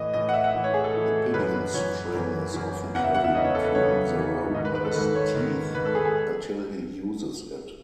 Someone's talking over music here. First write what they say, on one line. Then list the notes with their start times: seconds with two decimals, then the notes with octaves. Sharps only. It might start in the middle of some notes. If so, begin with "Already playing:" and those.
The piggin' string is often carried between the roper's teeth until he uses it.
Already playing: A2 E3 D#5
0.14 A2 E3 D#5
0.29 F#5
0.34 E5
0.44 F#5
0.54 A2 E3
0.64 C#5
0.74 G#4
0.84 A4
0.94 A2 E3
1.34 F#2 E3 B4
1.54 B4
1.74 F#2 E3 C#5
2.14 F#2 E3
2.54 F#2 E3
2.94 E2 C#3 E3 F#5
3.04 E5
3.15 F#5
3.24 E5
3.35 E2 C#3 E3 D#5
3.44 C#5
3.55 A4
3.65 B4
3.74 E2 C#3 E3 C#5
4.15 E2 C#3 E3
4.55 G#2 D#3 D#5
4.65 B4
4.75 B4
4.85 A4
4.95 D#3 B4
4.98 G#2
5.15 C#5
5.35 G#2 D#3
5.75 G#2 D#3 B4
5.86 A4
5.95 G#4
6.05 G#4